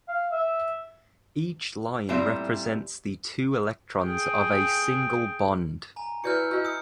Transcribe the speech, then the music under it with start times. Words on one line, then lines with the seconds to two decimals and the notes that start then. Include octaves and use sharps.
Each line represents the two electrons of a single bond.
0.08 F5
0.32 E5
2.09 A#2 G3 A3 C4 E4 E5
4.04 G#4 G5
5.96 G#5 A#5
6.24 E4 F#4 B4 D5 F6 G6 C#7
6.51 F#4 D#5 G6
6.65 D#6 C#7